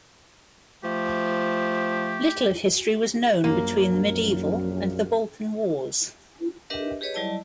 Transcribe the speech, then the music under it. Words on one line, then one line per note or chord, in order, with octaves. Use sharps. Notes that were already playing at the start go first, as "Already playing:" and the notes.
Little of history was known between the Medieval and the Balkan Wars.
F3 A3 G4
A#1 F#2 A#3
D4 G4 A#4 B4 D#5 E5
G4 G#4 B4 C#5 D#5
F#3 G3 E4 D5 D#5 A5